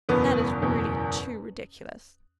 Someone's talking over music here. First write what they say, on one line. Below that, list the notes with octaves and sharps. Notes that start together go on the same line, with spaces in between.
That is really too ridiculous!
F#1 E2 B2 B3
F#1 E2 B2